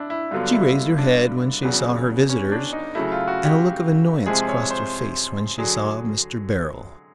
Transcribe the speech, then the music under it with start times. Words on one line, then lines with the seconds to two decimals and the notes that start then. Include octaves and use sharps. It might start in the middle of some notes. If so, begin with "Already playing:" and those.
She raised her head when she saw her visitors, and a look of annoyance crossed her face when she saw Mr. Beryl.
Already playing: D4 E4
0.10 E4
0.31 G2 D3 F#3 B3 F4
0.53 E4
0.98 D4
1.63 E2 C#3 F#3 B3
2.29 C#4
2.52 D4
2.73 D#4
2.95 C#3 F#3 A3 E4
3.12 F4
3.28 F#4
3.45 G4
4.26 C3 F3 G#3 G#4
4.48 C#5
4.71 C5
5.58 D3 F#3 G#4